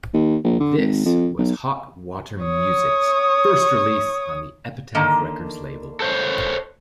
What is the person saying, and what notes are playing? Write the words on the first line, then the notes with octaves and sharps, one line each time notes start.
This was Hot Water Music's first release on the Epitaph Records label.
D#2
A#1
D3
G#1
F2
B1
C#5 D#6
D3 D#3 A#3
A4 C5 C#5